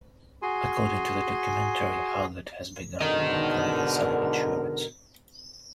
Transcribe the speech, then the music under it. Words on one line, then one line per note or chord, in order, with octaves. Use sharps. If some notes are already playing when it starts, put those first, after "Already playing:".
According to the documentary, Haggard has begun a new career selling insurance.
F#4 G#4 G#5 C6
G#2 B2 D3 A#4 D#5